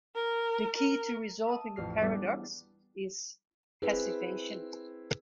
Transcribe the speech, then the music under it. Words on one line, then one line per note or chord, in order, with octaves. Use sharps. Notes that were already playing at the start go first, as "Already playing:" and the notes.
The key to resolving the paradox is passivation.
A#4
A#4
E5 A5 D#6
A1 F2 F6 C7
G3 B3 D4 E4 G#4 B4
C4 E4 G#4 B4